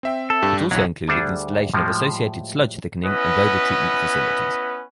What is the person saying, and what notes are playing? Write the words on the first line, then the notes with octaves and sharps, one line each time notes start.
It also included the installation of associated sludge thickening and odour treatment facilities.
C4 E5 G5
A4
G2 G4
B1 E2 F#3
D2 G3 D4 G#4 A4 G#5
A2 F3 G3 G#3
B3 C#4 E4 B4 D#5